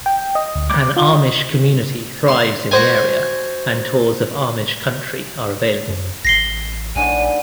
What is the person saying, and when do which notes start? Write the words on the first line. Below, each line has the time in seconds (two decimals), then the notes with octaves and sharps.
An Amish community thrives in the area and tours of Amish country are available.
0.06 G5
0.35 D#5
0.55 D2
0.70 D6
0.97 F4
1.16 D#5
2.28 C6
2.71 F#4 C5 G#5
5.88 F#2
6.25 A1 A#6 C7 G7
6.96 A#1 A2 D3 D#3 G#5